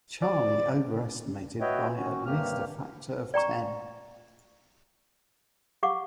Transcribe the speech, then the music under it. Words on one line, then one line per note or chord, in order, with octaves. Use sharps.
Charlie overestimated by at least a factor of ten.
D5
F#4 B4 C#5 D#5 E5 G5
D#3 C#4 F#4
G2 C3 A#3 G4 F6
D5 G5 A#5 C#6
G4 F5 F#5 C#6 D6